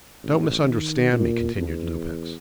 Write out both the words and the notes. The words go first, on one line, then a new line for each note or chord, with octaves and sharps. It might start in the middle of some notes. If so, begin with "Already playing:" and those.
"Don't misunderstand me," continued Lupex.
A1
D#3
A#2
E2